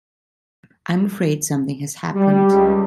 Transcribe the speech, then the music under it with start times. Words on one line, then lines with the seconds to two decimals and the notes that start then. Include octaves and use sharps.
I'm afraid something has happened.
2.13 G3
2.52 C#2